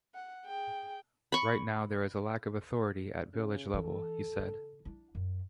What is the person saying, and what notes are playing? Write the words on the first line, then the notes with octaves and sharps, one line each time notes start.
Right now there is a lack of authority at village level, he said.
F#5
G#4 G5
B5 C#6
C#3
E3 A4
C#3
D4 E4
F#2